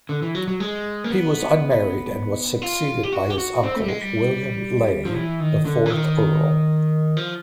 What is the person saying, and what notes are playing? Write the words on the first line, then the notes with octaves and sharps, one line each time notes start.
He was unmarried and was succeeded by his uncle, William Ley, the fourth Earl.
D3
E3
F#3
F#3
G#3
A#3
B3
F4
G4
F#4
G4
F#4
C4
A3
G3
G#3
G3
F3
E3
D#3
D3
E3
D#3
F3